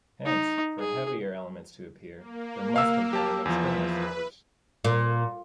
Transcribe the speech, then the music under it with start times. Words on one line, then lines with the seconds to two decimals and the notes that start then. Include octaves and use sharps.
Hence, for heavier elements to appear, there must have been an external source.
0.25 D#4
0.79 G#4
2.17 A#3
2.76 F5 E6
3.13 G4 A5
3.45 E2 F3 B4 E5
3.84 B4
4.84 A#2